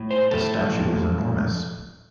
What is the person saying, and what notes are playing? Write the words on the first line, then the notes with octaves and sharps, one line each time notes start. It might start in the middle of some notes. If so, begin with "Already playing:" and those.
The statue is enormous.
Already playing: A2
C5
A2 A4
F3